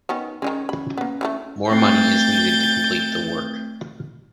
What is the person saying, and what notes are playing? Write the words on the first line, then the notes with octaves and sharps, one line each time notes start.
More money is needed to complete the work.
D#3 B3 C#4
D#3 F#3 G#3 C#4
B5
A#3 B3
E3 F#3 A3
A3 C4 G6 A6 C7